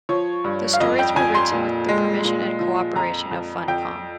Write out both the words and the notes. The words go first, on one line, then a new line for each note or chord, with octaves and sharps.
The stories were written with the permission and cooperation of Funcom.
F3 C#5
G2
F5
F2 D#5
G5
F2 G#5
C6
A#2
G#3
A#2
F3
F2 A#5
F2
F2 G5